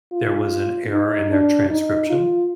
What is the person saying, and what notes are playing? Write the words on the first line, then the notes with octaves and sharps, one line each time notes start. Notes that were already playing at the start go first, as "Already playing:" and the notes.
there was an error in their transcription?
F4
D#4
D4
D#4
F4